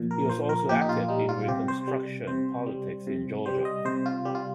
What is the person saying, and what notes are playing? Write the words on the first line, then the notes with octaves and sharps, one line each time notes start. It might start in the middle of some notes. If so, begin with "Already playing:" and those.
He was also active in Reconstruction politics in Georgia.
Already playing: A#2 F3
A#4
F3 C5
A#4
A#2 G4
D#4
F4
G3 D#4
F4
C3 G4
C5
G3
C3 C5
G3
C3
G3 C5
D#5
C3 C5
F4
G3 G4
F4